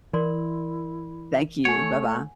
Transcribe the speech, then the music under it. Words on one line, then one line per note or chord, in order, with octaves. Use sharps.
Thank you. Bye-bye.
E3 E4 A#4 D5 C6
A3 C#5 F#5 G#5